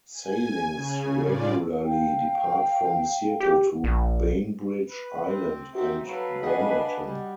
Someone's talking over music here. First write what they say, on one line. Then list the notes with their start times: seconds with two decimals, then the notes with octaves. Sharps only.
Sailings regularly depart from Seattle to Bainbridge Island and Bremerton.
0.14 G#5
0.72 C#3
1.25 A2 F4 D5
1.85 F5 G5
3.40 G4
3.84 A#1
4.86 B4
5.27 C4
5.75 C4 D#4 F#4 E5
6.06 F#3 A4 B4 F5 B5
6.43 D4 D#5 F#5 G#5
7.04 G3